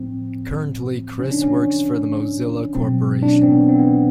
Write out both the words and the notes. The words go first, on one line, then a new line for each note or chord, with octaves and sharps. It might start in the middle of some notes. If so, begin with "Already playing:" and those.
Currently Chris works for the Mozilla Corporation.
Already playing: A2 F3 C4
C#3 F3 C#4
D4
C#4
B2 F#3 C4
D4
C#4
C4
B3
C4
B3